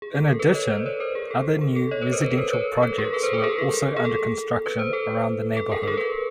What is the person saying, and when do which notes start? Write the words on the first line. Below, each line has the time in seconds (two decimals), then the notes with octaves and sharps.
In addition, other new residential projects were also under construction around the neighborhood.
0.02 G#4
0.15 A4
0.28 A#4
0.39 A4 B4
0.54 C#5 D#5
0.70 C5 D5
0.86 B4 C#5
1.00 A#4 C5
1.15 G#4
1.31 A4
1.61 G#4
1.76 A4
1.91 C#5 D#5
2.01 B4 C#5
2.12 A#4 C5
2.22 A4 B4
2.37 A#4 C5
2.53 B4 C#5
2.83 A4 B4
2.98 G#4 A#4
3.13 A4 B4
3.23 A#4 C5
3.33 A4 B4
3.43 G#4 A#4
3.58 A4
3.96 G#4
4.05 A4
4.66 B4
4.79 C5
4.93 A4 B4
5.57 A4
5.71 G#4 A#4
5.83 A4
5.88 G#4 A#4
5.97 A4 B4